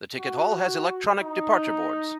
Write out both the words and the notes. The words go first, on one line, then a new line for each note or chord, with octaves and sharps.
The ticket hall has electronic departure boards.
F#4
D#4